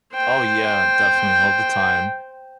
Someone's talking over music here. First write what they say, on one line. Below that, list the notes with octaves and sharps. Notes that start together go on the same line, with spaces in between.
Oh yeah, definitely all the time,
C5 G5